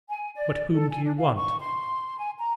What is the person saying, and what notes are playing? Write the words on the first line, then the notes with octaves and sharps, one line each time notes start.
But whom do you want?
G#5
D5
A4
G#5
D4
F5
C#6
C6
G#5
A#5